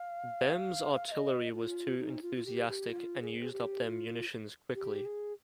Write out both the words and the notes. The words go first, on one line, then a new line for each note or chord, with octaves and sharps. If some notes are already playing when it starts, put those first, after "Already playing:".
Bem's artillery was too enthusiastic and used up their munitions quickly.
Already playing: F5
F5
F5
D#5
F4
D#4
F4
F4
G4
G4
F4
G#4
G#4
G4
G4
F4
G4
G#4